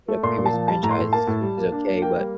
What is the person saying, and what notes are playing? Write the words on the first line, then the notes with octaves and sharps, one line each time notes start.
you know, previous franchises, which is okay, but,
A3
A#2 C6
A#2
A5
F3
G3 A5
A2 A#5
C6
A2
A#3 A5
A2
G3
A#3
D4
A#3
A#3 G5
G3